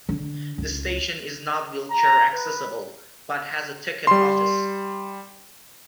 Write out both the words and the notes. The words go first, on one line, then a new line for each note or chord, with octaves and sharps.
The station is not wheelchair accessible, but has a ticket office.
D3
C#2
A#5
B4
G3 C6